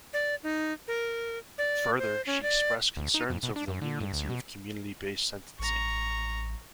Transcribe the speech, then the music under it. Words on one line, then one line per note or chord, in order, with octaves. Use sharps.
Further, she expressed concerns over the leniency of community-based sentencing.
D5
D#4
A#4
D5
C5
C#4
D5
D2
D#4
F2
B2
D4
F#2
D3
G2
D2
B2
A1 A#5 C#6